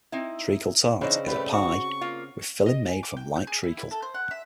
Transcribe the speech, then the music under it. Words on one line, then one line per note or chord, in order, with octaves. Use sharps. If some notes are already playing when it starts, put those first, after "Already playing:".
Treacle tart is a pie with a filling made from light treacle.
C4 D#4 E4
C#3 E3 C4 D4 D#4
G3 A3 G4 B4
F#4 C#6
A#3 F4
D#5
G#5
D6
G5
G6
G#4
E4
E4
A4
C5
F#5
E5